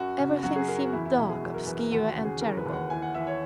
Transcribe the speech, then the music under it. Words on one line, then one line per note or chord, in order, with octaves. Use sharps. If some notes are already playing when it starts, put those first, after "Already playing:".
Everything seemed dark, obscure, and terrible.
Already playing: F#2 F#4
C#3
F#3 F#4
G#4
F#2 A#4
F#4
E2 E4
E4
B2 F#4
G#4
F#3
A#4
E2 B4
A#4
D#2 F#4
F#4
C#3
G#4
E3 A#4
B4
D#2
F#5
E3 G#5
F#5
E3 E5
C#5